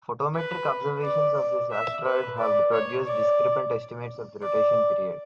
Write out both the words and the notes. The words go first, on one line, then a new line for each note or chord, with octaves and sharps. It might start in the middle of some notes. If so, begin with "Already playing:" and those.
Photometric observations of this asteroid have produced discrepant estimates of the rotation period.
B4
D5
D5
E5
B4
D5
C#5
D5
D5